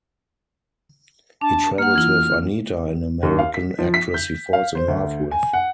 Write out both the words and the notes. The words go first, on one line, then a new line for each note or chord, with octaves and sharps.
He travels with Anita, an American actress he falls in love with.
D4 A5
A#3 F#5 F6
E3 E4 F4
D#2
F5
B6
F3
B6
G6
F5
C5
D2
G#5
F#5